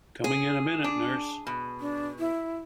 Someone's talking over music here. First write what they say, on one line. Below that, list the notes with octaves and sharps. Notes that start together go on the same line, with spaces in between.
Coming in a minute, nurse!
G#4
D4
B2
D4
E4